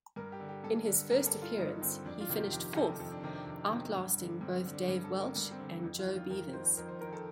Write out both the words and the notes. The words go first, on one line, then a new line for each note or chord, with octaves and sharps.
In his first appearance he finished fourth, outlasting both Dave Welch and Joe Beevers.
G2 A#4
G4
D3
G4
G2 A4
D3
G2 A#4
A4
D3
F4
G2 D#4
D3 C4
F2 D4
F4
C3 D#3
G4
F2 G4
C3 D#3 A4
F2 A4
D4
C3 D#3 D4
D4
F2
C3 D#3
G2
D3
G2 C4
D3
D4
G2
A4
D3
A#4
G2
D4
C4
D3
C4
F2
F4
D#3
F4
F2 A#4
D#3 C5
F2 A#4
C5
D#3 A#4
A4